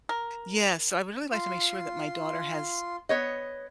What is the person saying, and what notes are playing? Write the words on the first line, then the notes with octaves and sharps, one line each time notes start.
yeah, so I would really like to make sure that my daughter has,
A#4
F4 C6
B3 C#5 D#5